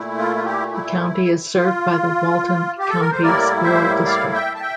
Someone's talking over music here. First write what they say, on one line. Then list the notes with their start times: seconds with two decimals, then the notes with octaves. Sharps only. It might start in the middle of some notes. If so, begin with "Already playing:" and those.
The county is served by the Walton County School District.
Already playing: A#2 A3 E4
0.18 F4
0.36 F4
0.45 E4 G4
0.72 E4
1.56 F4
2.79 G4
2.90 A4
3.00 A#4
3.11 C5
3.22 A2 G3 A#3 E4 A#4 D5
3.63 C5 E5
4.05 D5 F5
4.33 E5 G5
4.55 A5
4.61 E5 G5